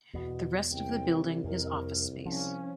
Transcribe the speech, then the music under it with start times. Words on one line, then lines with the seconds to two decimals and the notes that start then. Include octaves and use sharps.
The rest of the building is office space.
0.14 E2 B2 B3
0.72 C2 G5
1.44 F2 A#4
2.25 F3 C#4